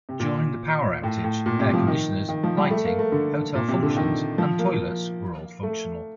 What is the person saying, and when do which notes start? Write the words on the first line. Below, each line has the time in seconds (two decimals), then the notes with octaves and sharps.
During the power outage, air conditioners, lighting, hotel functions, and toilets were all functional.
0.09 C3
0.20 A#2
1.03 A2
1.24 A2
1.46 A#2
1.59 C3
1.74 F3
1.87 D#3
2.29 D#3
2.43 F3
2.57 G3
2.71 A3
2.85 A#3
2.99 A3
3.12 D3
3.55 A#2
3.68 C3
3.83 D3
3.97 D#3
4.38 F3
4.59 A#3
5.63 A3